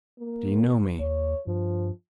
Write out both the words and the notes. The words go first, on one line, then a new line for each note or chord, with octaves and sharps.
"Do you know me?"
A#3
D#2 C#5
G2 F3